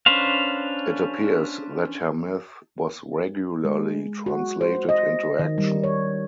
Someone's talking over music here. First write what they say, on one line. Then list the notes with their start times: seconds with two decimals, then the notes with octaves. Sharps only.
It appears that her myth was regularly translated into action.
0.06 C#4 D4 B4 C5 F5
3.65 G#3
4.26 F#4
4.61 C5
4.89 D#5
5.39 D#3
5.58 G3
5.84 C#5